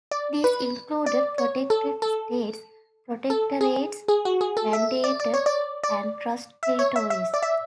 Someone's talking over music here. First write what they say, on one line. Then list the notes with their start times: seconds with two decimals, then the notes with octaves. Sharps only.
These included protected states, protectorates, mandated and trust territories.
0.11 D5
0.44 B4
1.06 D5
1.38 C#5
1.70 A4
2.02 A4
3.30 A4
3.61 G#4
4.08 G#4
4.25 F#4
4.41 G#4
4.57 A4
4.73 E5
5.04 D5
5.20 D5
5.34 C#5
5.46 D5
5.84 D5
6.63 E5
6.79 C#5
6.96 E5
7.10 E5
7.34 D5
7.43 E5